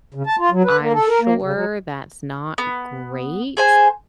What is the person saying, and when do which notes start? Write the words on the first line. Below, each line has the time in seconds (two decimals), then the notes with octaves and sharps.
I'm sure that's not great,
0.14 C#3
0.27 A5
0.39 F4
0.51 F#3
0.64 B4
0.80 A#3
0.93 A4
1.08 A#4
1.21 A#3
1.42 C#3
1.53 F#3
2.58 B3
3.57 G#4 C5 G#5